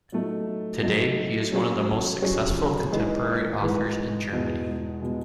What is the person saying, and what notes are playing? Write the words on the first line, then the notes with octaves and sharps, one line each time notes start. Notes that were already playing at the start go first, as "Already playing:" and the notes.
Today he is one of the most successful contemporary authors in Germany.
F#3 A3 D#4
F#3 A3 D#4
F#3 C#4 G#4 C#5
F#3 C#4 G#4 C#5
E3 G#3 D#4 G#4 B4
E3 G#3 D#4 G#4 B4
E2 B2 G#3
B2 G#3